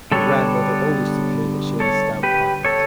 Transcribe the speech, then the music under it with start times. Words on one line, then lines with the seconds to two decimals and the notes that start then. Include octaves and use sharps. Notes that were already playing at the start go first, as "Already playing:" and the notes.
Her grandmother always took care that she had a stout pocket.
0.12 D3 G3 B3 D4 A4 C#5
1.80 A4 C#5
2.23 G4 B4
2.65 A4 C#5